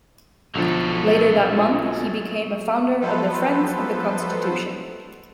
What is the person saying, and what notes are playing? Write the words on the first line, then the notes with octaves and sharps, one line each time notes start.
Later that month he became a founder of the Friends of the Constitution.
B1 D3 F3 F#3 A4
F3 F#3 B3 A4 B4 C5